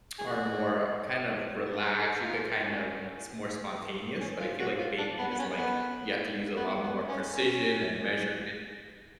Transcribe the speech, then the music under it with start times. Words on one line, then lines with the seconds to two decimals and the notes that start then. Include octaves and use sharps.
are more, kind of, relaxed, you could kind of it's more spontaneous, but I feel like baking is, like you have to use a lot more precision and measurement,
0.18 G#4
0.27 F#4
1.84 G#4
1.95 A4
2.05 G#4
2.24 F4
2.63 C#4
4.20 C#4
4.39 F4
4.59 F#4
4.79 F4
4.98 D4
5.19 B3
5.31 B3
5.39 C#4
5.57 B3
6.56 B3
6.82 B3
7.09 C#4
7.35 C#4